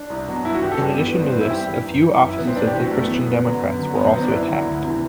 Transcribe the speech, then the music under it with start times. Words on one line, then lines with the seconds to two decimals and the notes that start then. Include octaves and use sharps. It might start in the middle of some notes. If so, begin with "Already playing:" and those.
In addition to this, a few offices of the Christian Democrats were also attacekd.
Already playing: D4
0.10 C2
0.28 B2 F#3
0.45 G2 E4
0.54 F#4
0.63 E3 G4
0.71 A4
0.80 G2 G4
0.92 B3
0.98 E3
1.15 G2 B3
1.24 C4
1.33 E3
1.41 E4
1.50 G2 G4
1.67 E3
1.86 F#2
2.03 E3
2.21 F#2
2.29 E4
2.38 E3 B3
2.47 C4
2.56 F#2 D4
2.67 G4
2.73 E3
2.80 F#4
2.91 F#2 A3
3.03 B3
3.08 E3
3.14 B3
3.26 F#2
3.44 D3 F#3
3.61 F#2
3.79 D3 F#3
3.96 F#2 B3
4.04 C4
4.14 D3 F#3 B3
4.22 D4
4.31 F#2 E4
4.49 D3 F#3
4.67 D2
4.84 C3 E3